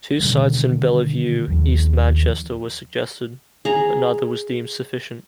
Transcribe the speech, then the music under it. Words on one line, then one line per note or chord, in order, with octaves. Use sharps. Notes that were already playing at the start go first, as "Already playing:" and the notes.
Two sites in Belle Vue, East Manchester were suggested, but neither was deemed sufficient.
B2 D3 D#3 G3
D#2 D#3 F3
G#4 A#5